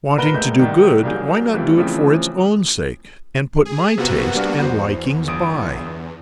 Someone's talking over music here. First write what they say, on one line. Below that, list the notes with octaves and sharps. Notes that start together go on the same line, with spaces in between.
Wanting to do good, why not do it for its own sake, and put my tastes and likings by?'
A#2 A#4 B4 E7 G7
E1 G#3 A3 G6
C2 C3 D#3
C2 F#3 A#3 G#4 G6
E3 G3 A3 C4 F4
C#3 E3 F3 A3 C4
G#4
C3 A#3 B3 F#4
G3 D4 F6
E2 C5
G1 D#6 D7